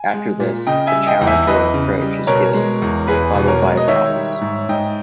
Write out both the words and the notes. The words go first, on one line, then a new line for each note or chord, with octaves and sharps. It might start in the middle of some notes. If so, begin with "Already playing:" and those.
After this, a challenge or reproach is given, followed by a promise.
Already playing: G#5
G#3
A#2
C#3 D#5 G5
E5 G#5
G3
D#5 G5
E2
E5 G#5
E2 B4 D#5
C#3
G3
B2 A#4 C#5
G#3
E2
E2 G#4 B4
B2
A#4 C#5
G#3
D#5
D#3 C#5 E5
G3
G#2
G#2 D#5 G5